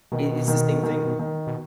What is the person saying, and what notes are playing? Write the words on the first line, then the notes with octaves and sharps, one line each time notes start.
It it's the same thing.
B2 D#3
D#3
D#3
D#3
B2